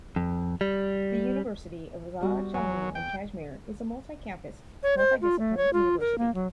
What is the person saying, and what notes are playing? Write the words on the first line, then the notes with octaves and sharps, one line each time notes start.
The University of Azad Jammu and Kashmir is a multi-campus, multi-discipline university.
F2
G3
G3 B3 F#4
E2 F#3 G#5
G5
C#5
C5
F4
A3
C#5
F4
A#4
A#3
F#3